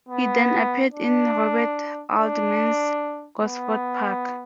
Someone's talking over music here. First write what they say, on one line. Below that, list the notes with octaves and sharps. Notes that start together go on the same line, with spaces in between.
He then appeared in Robert Altman's "Gosford Park".
B3
D4
D4
B3